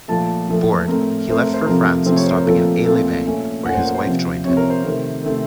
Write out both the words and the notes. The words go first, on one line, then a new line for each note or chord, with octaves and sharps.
Bored, he left for France, stopping in Aix-les-Bains where his wife joined him.
A#2 F3 A3 A5
A#2 F3 A3
A2 A3 C4 A#4
A2 A3 C4 C5
A#4
C5
C3 F3 A3 C4 A#4
C3 F3 A3 C4 C5
C#5
C5
A#4
A#2 F3 A3 C4 A4
A#4
A#4
A#2 F3 A3 C4 A4
A#2 A3 C#4
A#2 A3 C#4 F#5
C5
A#4
C5
C3 F3 C4
C3 F3 C4 C#5
A#4
C5
C3 D#3 A3 C4
C3 D#3 A3 C4